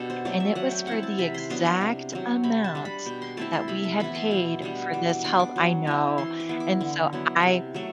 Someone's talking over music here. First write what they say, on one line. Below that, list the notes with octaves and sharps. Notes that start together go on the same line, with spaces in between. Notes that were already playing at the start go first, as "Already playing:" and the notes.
And it was for the exact amount that we had paid for this health I know. And so I
Already playing: B2 D4 G4 A4
C5
F#3 A3 C4 D5
E5
F#3 F#5
G5
C4 E4 F#5
A5
C3 B5
C6
F#3 B3 D4 C6
C6
C3
F#3 C4
C3 B5
A5
G3 D4
B5
B2 G5
C6
A3 C4 E4 A5
C6
C3 B5
A5
E3 B3 E4 B5
C6
B2
G3 B3 D4
E3 D6
D6
B3 D4 C6
D6
F#3
C4 E4
E3 C6
D6
B3 E4
D6
D3
F#3 B3 E4
C3
F#3 A3